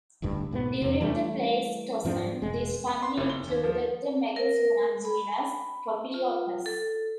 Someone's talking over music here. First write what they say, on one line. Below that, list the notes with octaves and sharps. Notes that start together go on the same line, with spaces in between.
During the Pleistocene, this family included the megafauna genus "propleopus".
D1 G1 D2 G2
B1 G#2 A3 B3
E2 C3
E3 G3 A3
G#2 F3 C4 D4
E1 G#3
C6
F#1
G7
D#2
F3
A#4
B5
F4
A4